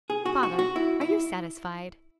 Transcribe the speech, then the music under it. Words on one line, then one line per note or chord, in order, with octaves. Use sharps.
"Father, are you satisfied?"
G#4
F#4
F#4
F#4
E4
E4